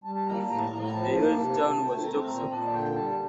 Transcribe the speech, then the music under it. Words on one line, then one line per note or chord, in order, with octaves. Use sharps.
The uyezd town was Torzhok.
G3 A5
A5
A#3 A#5
A5
A2 A#5
A5
A2 A#5
A#5
F3 A5
A#3
C3
C3
A3 G5
A5
C4 A#5
A#2 A#5
A#2 A5
D3 G5
G3 A5